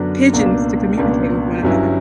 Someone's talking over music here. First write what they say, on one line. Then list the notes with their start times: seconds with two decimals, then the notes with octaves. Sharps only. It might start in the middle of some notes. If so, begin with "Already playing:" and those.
pigeons to communicate with one another.
Already playing: F#2 D3 F#3 B3 D4
0.33 C#2 B2 A#3 D4
0.97 C#2 B2 A#3 D4
1.63 G1 G2 F#3 C#4 E4